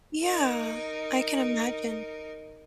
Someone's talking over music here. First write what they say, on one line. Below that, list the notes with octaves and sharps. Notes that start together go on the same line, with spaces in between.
Yeah, I can imagine.
D#4 A#4